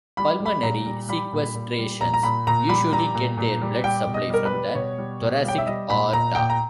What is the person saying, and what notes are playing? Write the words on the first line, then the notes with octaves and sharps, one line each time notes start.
Pulmonary sequestrations usually get their blood supply from the thoracic aorta.
G3 B5
G3
B5
A#2 A#5
G3
G3 B5
A#2
A#2
G3
A#2 A#5
A#5
A#2 B5
A#2 A#5
G3 B5
G3 A#5
A#2
A#2
G3
G3 G5
B2
D#5
G3 A#4
B4
G3
B2 C#5
G3
B2
G3 G5
E5
G3 D#5
A#2 B5
A#2 A#5
A#2 G5
A#5